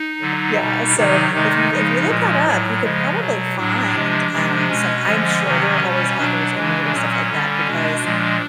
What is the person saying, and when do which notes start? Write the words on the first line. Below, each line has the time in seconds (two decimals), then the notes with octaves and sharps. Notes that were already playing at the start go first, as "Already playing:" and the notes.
Yeah, so if you l if you look that up, you could probably find, um, some I'm sure, there are always authors in need of stuff like that, because
Already playing: D#4
0.21 D3 F#3
0.58 B2 G3
0.96 C3 D#3 F#3 D#4
1.32 C3 D#3 G#3 D#4
1.70 C#3 F3 G#3
2.07 A#2 F3 G#3
2.45 A2 F#3
2.83 C#3 F3 G#3
3.19 B2 F#3
3.57 A2 F#3 D4
3.94 C3 F3 G#3
4.31 C3 F3 G#3
4.68 B2 G#3 C#4
5.05 D3 F3 G#3
5.43 C3 D#3 F#3
5.81 B2 G3
6.18 B2 F#3 D4
6.54 C#3 E3 G#3
6.92 A#2 F#3 C#4
7.30 D3 G3
7.67 B2 G#3 D4
8.04 A#2 F3 G#3